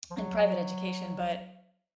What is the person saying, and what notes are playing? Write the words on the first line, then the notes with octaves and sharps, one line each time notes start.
in private education, but
F3
F#3